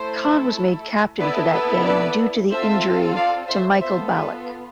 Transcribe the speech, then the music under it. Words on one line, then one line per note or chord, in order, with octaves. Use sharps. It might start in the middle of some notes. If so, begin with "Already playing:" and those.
Kahn was made captain for that game due to the injury to Michael Ballack.
Already playing: A3 E4 A4 C5
B3 E4 A4 B4 D5
B4
B4 D5
C4 F4 A4 C5 E5
D5 F5
C5 E5
B3 F4 A4 C5 E5
B4